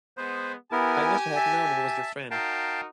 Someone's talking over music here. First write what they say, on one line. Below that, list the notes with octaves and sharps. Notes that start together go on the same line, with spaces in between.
I wish I had known it was your friend.
G#3 B3 C5
B3 E4 G4 A#4 G#5
E5 A5
D#4 F#4 A#4 F5 G5 A5